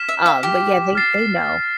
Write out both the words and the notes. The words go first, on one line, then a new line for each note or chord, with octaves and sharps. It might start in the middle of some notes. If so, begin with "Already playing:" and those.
Um, but, yeah, they they know.
Already playing: F6 B6 E7
E5
F5
G4
F6 A6 C7 E7